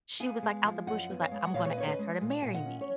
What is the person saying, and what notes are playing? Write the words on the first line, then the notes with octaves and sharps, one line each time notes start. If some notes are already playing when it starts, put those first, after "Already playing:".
she was, like, out the blue, she was like, "I'm gonna ask her to marry me."
B3 F5 G#5
G#3
F3
F#2 D#5 F#5
B3
C#5 F5
G#3
F#5
A#2 C#5 F5
C#5
B4 D#5
C#4 C#5
B4 D#5
G#3
A#2
A#2 G#5
D#5 F#5
C#4
C#5